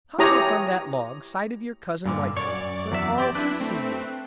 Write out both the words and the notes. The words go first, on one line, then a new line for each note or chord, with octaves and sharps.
"Hop up on that log side of your Cousin Whitefoot, where all can see you."
E4 G4 C#5 A#5 D#6
G2 A#2 D3
F#2 C#5 D5
E2 F#3 E5
C4 G4 D5
D4 E4 B4
A3 C4